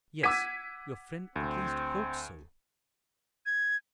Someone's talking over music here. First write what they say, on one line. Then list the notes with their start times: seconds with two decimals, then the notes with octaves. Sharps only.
"Yes--your friend at least hopes so."
0.23 F#5 D6 E6 G#6 B6 D#7
1.36 D2 C4
3.46 G#6